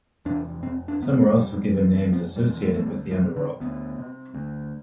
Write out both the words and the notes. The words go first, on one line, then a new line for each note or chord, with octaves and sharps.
Some were also given names associated with the underworld.
E2 C3 D4
F1 C4
D4
E2 C3 B3
C4
F1 G3
E2 C3
F1 F3
G3
E2 C3
A3
A3
D2 G3
F3
C3
D3
D2 B3
C3
D2